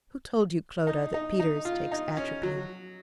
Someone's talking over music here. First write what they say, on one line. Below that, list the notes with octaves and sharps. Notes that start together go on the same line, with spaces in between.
Who told you, Clodagh, that Peters takes atropine?'
D#4
D#4
D#4
F4
D#4
C#4
F#3